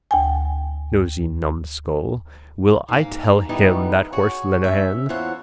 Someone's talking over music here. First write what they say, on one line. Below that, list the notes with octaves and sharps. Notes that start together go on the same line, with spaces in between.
Nosey numbskull. Will I tell him that horse Lenehan?
D2 G5 G#5
G#2 A#3
E3 G3 B3 D#4
F#4 G#4 C#5
C#4 E5
E2 F4 C5 C#5 F#5